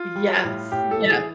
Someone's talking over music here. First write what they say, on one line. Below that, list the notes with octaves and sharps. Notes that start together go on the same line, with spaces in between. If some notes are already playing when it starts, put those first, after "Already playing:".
Yes, yeah.
Already playing: F4
G3
A2
A2 G4
A4
E3
G#4